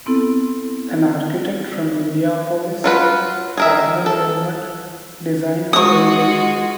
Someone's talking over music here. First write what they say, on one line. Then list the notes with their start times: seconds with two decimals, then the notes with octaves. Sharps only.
An architect from Minneapolis, Fabian Redmond, designed the building.
0.06 B3 C4 E4 A4
2.84 F#3 F4 B4
3.57 G#4 A#4 E5
4.06 A4
5.73 G#3 F4 F#4 C#6 D#6